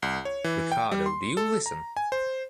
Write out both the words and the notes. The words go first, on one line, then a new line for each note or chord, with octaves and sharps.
Ricardo, do you listen?
C2
C#5
E3
G5
G3
C6
A4
A#5
G#5
C5